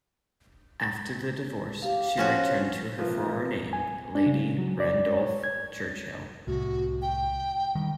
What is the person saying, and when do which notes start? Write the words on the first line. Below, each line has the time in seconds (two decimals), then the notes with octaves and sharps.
After their divorce, she returned to her former name : Lady Randolph Churchill.
1.82 G4 F5
2.17 F3 C#4 F#4 C#5
2.99 C3 E3 F3 A#3 B4
3.73 G#5
4.15 D4
4.26 C#3
4.59 F#3
4.80 D5
5.17 C#5
5.44 G#6
6.47 C2 A2 F#4
7.02 G5
7.75 D#3 G3